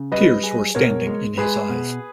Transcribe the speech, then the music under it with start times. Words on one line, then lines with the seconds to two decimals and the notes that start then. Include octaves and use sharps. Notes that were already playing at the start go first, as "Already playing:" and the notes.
Tears were standing in his eyes.
Already playing: C#3
0.12 G3 B4 D#5
0.44 G#4
0.75 B2 A#4 C#5
1.07 G#3
1.38 G#3 G#4 B4
1.69 B2